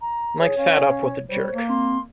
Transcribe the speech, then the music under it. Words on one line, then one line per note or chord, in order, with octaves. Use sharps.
Mike sat up with a jerk.
A#5
G#4 C#5
C#4 F5
G3 C5 C#5
A#3
C4 C6